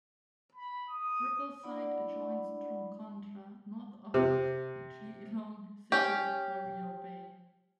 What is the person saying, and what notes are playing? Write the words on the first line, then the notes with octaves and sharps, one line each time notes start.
Rippleside adjoins Drumcondra, north of Geelong City on Corio Bay.
B5
D#6
D4 E4 D5 F#5 B5
C3
C#4 G4